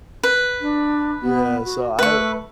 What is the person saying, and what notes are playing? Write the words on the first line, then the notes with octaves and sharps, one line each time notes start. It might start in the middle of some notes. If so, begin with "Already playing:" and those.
yeah, so, I, w
B4
D4
B3
F#4
A3 B4 C#6